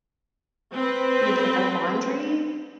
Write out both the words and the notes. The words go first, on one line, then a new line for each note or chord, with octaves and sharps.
maybe, like, a laundry
C4 B4